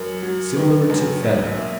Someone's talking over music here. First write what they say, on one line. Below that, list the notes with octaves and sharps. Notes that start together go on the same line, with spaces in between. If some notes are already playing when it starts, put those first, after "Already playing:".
Similar to Feta.
Already playing: F#2 A#4
F#3
D#3 B4
F#2
B1 C#5
A#3 E5